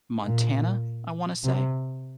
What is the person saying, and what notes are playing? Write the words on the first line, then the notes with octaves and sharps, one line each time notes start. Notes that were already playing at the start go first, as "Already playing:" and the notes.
Montana, I wanna say,
A#2
C3